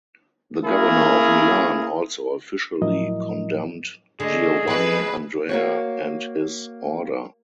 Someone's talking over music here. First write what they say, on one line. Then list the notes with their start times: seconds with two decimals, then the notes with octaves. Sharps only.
The governor of Milan also officially condemned Giovanni Andrea and his order.
0.64 A#3 C#4 E4 G#4 A#4
2.82 A2 F3 F#3 E4 A#4 D#5
4.20 C#2 D3 G#4 D#5
4.67 F3 E4 B4
5.49 A#3 F#4 C#5